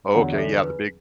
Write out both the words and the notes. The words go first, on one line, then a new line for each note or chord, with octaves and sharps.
Oh, okay, yeah, the big
E2 D3 F#3 D5 F#5
E5
A4 D5
B4